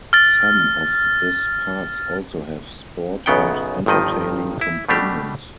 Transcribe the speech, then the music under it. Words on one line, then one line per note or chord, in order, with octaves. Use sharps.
Some of this parks also have sport and entertaining components.
F6 A6
B1 F#2 C#3 B3 F#5 G5
G1 G2 D#3 F3 D#5
E4
B2 G3 A3 D4 G4